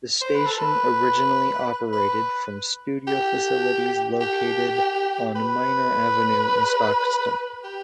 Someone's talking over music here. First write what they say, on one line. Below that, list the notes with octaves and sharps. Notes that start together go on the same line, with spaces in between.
The station originally operated from studio facilities located on Miner Avenue in Stockton.
C5
B4
A4
B4
B4
G4
G4
B4
G4